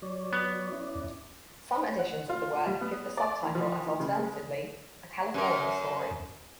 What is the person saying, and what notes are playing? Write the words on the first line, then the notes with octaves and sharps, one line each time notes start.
Some editions of the work give the subtitle as alternatively, "A California Story".
F#3 C#5 D5
B3
C#4 E4 D5
F#5
F4
F4
G3
B3
D5
E3
F3
E3
C#3
G#3
F#2 A#4